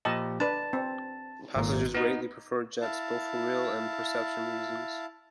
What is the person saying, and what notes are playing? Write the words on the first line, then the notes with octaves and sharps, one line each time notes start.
Passengers greatly preferred jets, both for real and perception reasons.
A#2 F3 G4 D#5 A5
D4 B4 A5
C4
G#1 A#2
B3 D#4 B4
E4 F5 A5